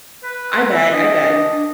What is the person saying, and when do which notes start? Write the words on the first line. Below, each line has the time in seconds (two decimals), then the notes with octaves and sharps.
I bet, I bet.
0.23 B4
0.71 E5
0.92 D4 D#5